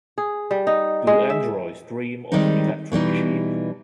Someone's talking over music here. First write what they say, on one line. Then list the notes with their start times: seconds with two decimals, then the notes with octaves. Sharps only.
Do Androids Dream of Electric Sheep?
0.18 G#4
0.51 G3
0.67 D#4
1.07 G#3
1.30 E5
2.32 D#3 G3 G#3 C4 D#4
2.92 B2 E3 G3 D#4